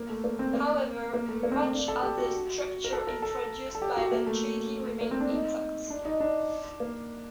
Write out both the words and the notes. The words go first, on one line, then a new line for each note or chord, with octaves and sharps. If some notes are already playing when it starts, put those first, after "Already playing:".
However, much of the structure introduced by that treaty remained intact.
Already playing: A#3
A3
A#3
C4
A#3
A#3
A3
A#3
C4
D4
D4
A4
G4
F#4
A#4
A4
A#4
A4
A4
G4
F#4
A#3
A3
A#3
C4
D4
D#4
D4
D#4
D4
A#3